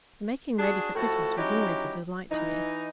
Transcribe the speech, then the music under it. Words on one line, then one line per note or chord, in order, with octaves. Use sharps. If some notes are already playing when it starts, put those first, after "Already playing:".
The making ready for Christmas was always a delight to me.
D4 F#4 G#4
A2 F3 F#4 A4
F#3 C#4 D#4 E4 G4
E3 D#4